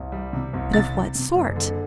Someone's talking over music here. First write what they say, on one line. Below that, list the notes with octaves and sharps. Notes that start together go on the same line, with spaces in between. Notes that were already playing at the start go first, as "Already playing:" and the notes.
"But of what sort?"
Already playing: C2
G3
C3
C2
C3 A6
C3
C3
F#1
D3